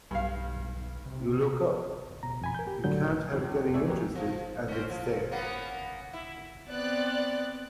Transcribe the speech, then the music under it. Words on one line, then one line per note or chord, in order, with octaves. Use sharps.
You look up... you can't help getting interested and it's there.
B1 G2 F5
C3
B2 A#5
F2 G#5 B5
A#4 G6
G4
A2 D3 F#3 G6
F2 B2 G3 C4
C#2
C#2
A3 G#4 C#5 D5 E5
D#3 E3 F#3 A#3 B3 G4
F3
C4 C#4
F3
A#3 B3 C#4
E4
B3 C4 D5 F#6 A6